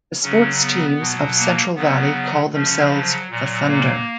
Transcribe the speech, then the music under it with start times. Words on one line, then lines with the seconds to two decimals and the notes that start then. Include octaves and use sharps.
The sports teams of Central Valley call themselves the Thunder.
0.22 C#3 F#3 C#4
0.61 B3
0.99 B2 F#3
1.38 A#3
1.75 C#3 F#3 B3
2.53 C#3 F3 C#4
2.91 F#3
3.30 A#2 F#3
3.68 A#3